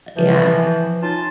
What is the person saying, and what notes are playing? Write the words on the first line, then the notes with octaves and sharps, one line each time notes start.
But, yeah.
E3 F3
C#4 D#4 F4 A5